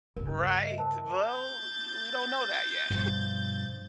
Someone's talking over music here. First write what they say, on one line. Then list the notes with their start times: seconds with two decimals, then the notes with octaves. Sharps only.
Right? Well, we don't know that yet.
0.16 G2 C#3 A#4
0.63 D#5 E5
0.78 A#4 C5 A5
1.26 G6 A6
2.90 G2 B2 F3